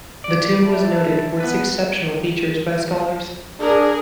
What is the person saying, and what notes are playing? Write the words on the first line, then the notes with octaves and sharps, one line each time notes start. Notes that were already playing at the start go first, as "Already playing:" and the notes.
The tomb was noted for its exceptional features by scholars.
D5
E4 A5
B3 B4
D4 G#4 A#4